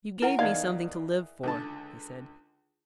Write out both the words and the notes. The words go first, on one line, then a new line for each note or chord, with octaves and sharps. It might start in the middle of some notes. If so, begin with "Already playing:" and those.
"You gave me something to live for," he said.
E4 A#4 F#5
E2 D#3 D#4 D5 D#5 F5
C#2 D3 A5